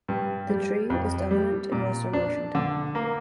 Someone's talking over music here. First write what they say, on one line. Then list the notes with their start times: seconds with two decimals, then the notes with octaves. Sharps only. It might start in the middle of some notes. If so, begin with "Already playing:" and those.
The tree is dominant in western Washington.
0.08 G2
0.50 G3
0.90 F2
1.31 G3
1.72 A#2
2.13 D4
2.55 D3
2.95 A#3